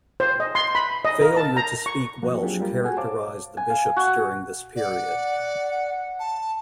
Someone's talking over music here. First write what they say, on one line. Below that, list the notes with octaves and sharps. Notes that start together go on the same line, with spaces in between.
Failure to speak Welsh characterised the bishops during this period.
C5
D#5
C6
B5
D#5
A#4
A5
A#5
C#6
G2 F3 A#3 F#4
F#3 C4 D4 F4 G4 G#4
G3 A#3 F4 G4 A#4
F#4 G#4 A4 F#5 G#5
C5 C#5 F5 A5 D6
G#5
F5
F#4
D5 F#5
A5